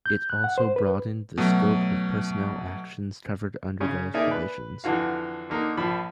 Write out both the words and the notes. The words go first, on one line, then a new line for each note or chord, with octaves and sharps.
It also broadened the scope of personnel actions covered under those provisions.
G6
F#6
F#5
C5
B4
B2 F#3 A3
C#3 C#4
A#3 D#4 G#4 D5 E5 G#5
B4
F2 D3 E3 F#4 F5
D3 A#3 D#4
A#1 F3 B5